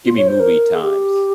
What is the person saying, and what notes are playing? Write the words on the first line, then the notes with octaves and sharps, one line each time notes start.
Gimme movie times.
F4
C#5
C5
A#4
G#4
G4